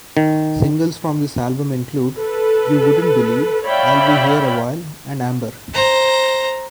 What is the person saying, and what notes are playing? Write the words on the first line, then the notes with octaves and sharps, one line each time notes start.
Singles from this album include "You Wouldn't Believe", "I'll Be Here Awhile", and "Amber".
D#3
A4 B4
C#5 D5 E5 F5 G5 B5
C5 A#5